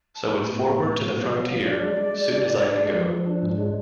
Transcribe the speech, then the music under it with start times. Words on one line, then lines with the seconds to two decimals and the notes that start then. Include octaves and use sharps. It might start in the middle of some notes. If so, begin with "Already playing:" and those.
So it's forward to the frontier, soon as I can go.
0.15 A5
0.26 B5
0.36 A2 C#6
0.52 B3 B5
0.62 B5
0.68 A2 C#6
0.84 A2 C#6
1.00 F#3 F5
1.17 B3
1.33 F#3
1.49 F#3
1.64 D4 D5
1.81 G#3
1.97 G#3
2.14 G#3
2.29 D4
2.45 D4
2.62 D4
2.78 G#3
2.93 F3 B4
3.07 F3 B4
3.16 A4
3.26 D4
3.36 A4
3.42 G#2
3.53 B4
3.58 G#3 C#5